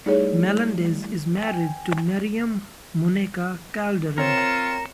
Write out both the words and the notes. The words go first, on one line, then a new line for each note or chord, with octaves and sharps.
Melendez is married to Miriam "Muneca" Calderin.
G3 A3 D#4 E4 G#4 C#5
G5 G#5
C4 F4 A#4 C#5 C#7 E7